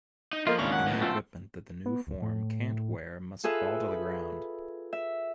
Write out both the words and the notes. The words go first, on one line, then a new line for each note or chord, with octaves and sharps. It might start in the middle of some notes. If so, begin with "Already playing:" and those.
Any equipment that the new form can’t wear must fall to the ground.
D#4
F3 A#3 F4 A#4 D#5
G#1 C#2 D#3 A#3 C#4 D4 F5 C#6
F#5
F#2 B2
A3 C4 F4 A4
B3
D1
A2
F4 G#4 A4 B4 E5
B5
E5